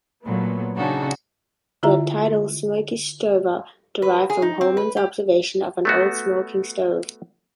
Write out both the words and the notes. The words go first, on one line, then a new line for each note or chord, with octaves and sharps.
The title "Smokey Stover" derived from Holman's observation of an old smoking stove.
A#2 F#3 A3 B3
C#3 D4 D#4 F#4 A4
D3 E4 F4 E5 A#5
B4
G#4
D#4
C4
B4
G4
A3 B3 F#4